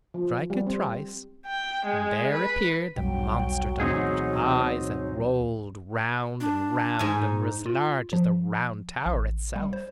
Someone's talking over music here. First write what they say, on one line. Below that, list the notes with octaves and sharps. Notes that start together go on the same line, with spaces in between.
Strike it thrice and there appeared the monster dog with eyes that rolled round and round and were as large as the Round Tower itself.
F3
G3
C4
G5
G#3
B4
E1 B1 F#3 G3 G5
D2 B2 E3 C4 D#4 G#4 C#5
D4
G#2 D#4 G#5
F4
F3
A1
G3
C5